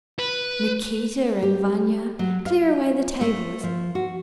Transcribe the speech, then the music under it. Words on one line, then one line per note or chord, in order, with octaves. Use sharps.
Nikita and Vanya--clear away the tables!
B4
G4
F#3
F5
A3
F3
F#4